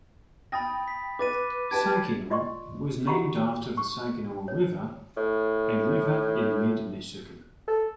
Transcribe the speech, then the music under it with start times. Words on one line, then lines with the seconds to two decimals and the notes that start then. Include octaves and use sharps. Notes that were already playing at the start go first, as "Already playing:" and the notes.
Saginaw was named after the Saginaw River, a river in mid-Michigan.
0.52 G5 B5 D#6 A6 A#6
0.88 B6
1.19 B4 D6 A6 D#7
1.71 G4 B4 A5 G#6 D7
2.30 F4 D5 D#5 C6 C#6
3.07 F#4 G4 F#5 A#5 B5 C#6
3.77 C#6
4.48 C#5
5.17 A2
7.67 A4